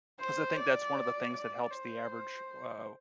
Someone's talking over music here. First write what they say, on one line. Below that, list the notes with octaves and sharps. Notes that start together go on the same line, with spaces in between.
'Cause I think that's one of the things that helps the average, uh,
C5
D5
D5
C5